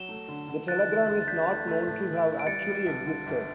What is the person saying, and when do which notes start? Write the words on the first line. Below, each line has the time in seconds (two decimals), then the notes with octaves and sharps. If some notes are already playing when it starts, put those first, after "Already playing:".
The telegram is not known to have actually existed.
Already playing: F#3 E7 G7
0.09 A3
0.28 D3
0.48 D3
0.68 E3 F#6 A6
0.88 E3
1.08 D2
1.22 A6
1.27 D4 G6 B6
1.47 A3
1.68 A3
1.87 A2
2.07 E3
2.27 E3
2.39 D7
2.47 G3 A6 C#7
2.67 G3
2.86 B1
3.06 D3
3.26 G1